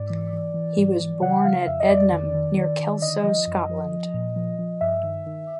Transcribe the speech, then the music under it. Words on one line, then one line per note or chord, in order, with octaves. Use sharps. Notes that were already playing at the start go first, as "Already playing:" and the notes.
He was born at Ednam, near Kelso, Scotland.
Already playing: G#2 D5
E3
E3
E3
G#2
E3
C#3 F#5
F3 F5
F2 E5
D#5
F2 D5
D#3
D#3
D#3
D#3
D3 D#5
F3
F#2
F3
F3
A#2
F3
F3
G2 E5
D#3
D#3